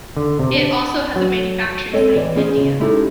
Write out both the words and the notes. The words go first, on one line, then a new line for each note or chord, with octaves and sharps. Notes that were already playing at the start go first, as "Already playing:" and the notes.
It also has a manufacturing site in India.
D3
C3
D4
F#3
G#3 C4 A4 C#5 D#5
E3 D5
B3 C#4 G#4 C5 D#5
C#3
G#3 C#4 D#4 E4 G4 A4